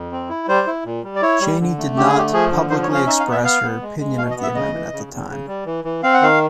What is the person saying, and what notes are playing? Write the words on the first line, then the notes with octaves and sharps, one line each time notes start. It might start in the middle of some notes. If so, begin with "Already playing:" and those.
Cheney did not publicly express her opinion of the amendment at the time.
Already playing: F2
C4
E4
G3 C5
E4
A#2
G3
D5
E4 C#5
G3
D3
A3
D3 G4
G#4
A3 G4
F3 G#4
D3
F3 C5
C#5
C#4
F5
D#4 E5
F5
B3
E5
B3 F5
B3
G#3
G#3
B2 F5
D#5
B3
E5
C#3 D#5
E3
C#3
E2
C#3
G3
E3
E3
C4 F5
F#5
D#3 F5